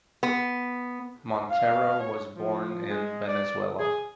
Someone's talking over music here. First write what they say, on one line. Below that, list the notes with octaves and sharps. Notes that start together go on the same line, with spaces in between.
Montero was born in Venezuela.
B3
F5
C#5
F3
G#3
D5
G#4